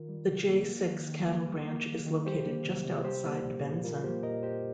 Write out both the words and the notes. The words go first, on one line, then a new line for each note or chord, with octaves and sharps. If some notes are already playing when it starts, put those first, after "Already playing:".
The Jay Six cattle ranch is located just outside Benson.
Already playing: D#3 F4 A#4
G3
C3
A#3
A#3
D#3
D#3
A#3
G3
A#3
D#3
D#3
G3 G4 C5
A#3
C3
C3
G3 G4 C5
A#3
A#2
A#2
G3 F4 A#4
A#3 G4 C5
A#2 A#4 D#5
A#2 G4 C5